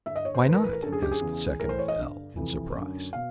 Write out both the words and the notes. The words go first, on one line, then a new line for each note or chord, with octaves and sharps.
"Why not?" asked the second of L--, in surprise.
G2 D3 E5
D#5
C#5
C5
A2 E3 B4
A#4
B4
A#4
F#2 D3 A4
G#4
G4
G#4
E2 C#3 E3
A2 E3 A#4
C5
C#5
D#5
G2 D3
F2 C3 E3
F#2 D3
B2 F5